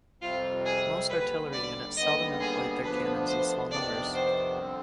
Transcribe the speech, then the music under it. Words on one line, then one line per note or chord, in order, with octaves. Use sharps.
Most artillery units seldom employed their cannons in small numbers.
F2 C3 G3 C4 F4
G#4
D#2 D3 G3 B4
D5
D#2 D3 G3 B3 D#5
G#4
D2 D3 F3 B3 D4 B4
C5
F2 C3 D#3 B3 D4 D5
C5
D3 G3 C4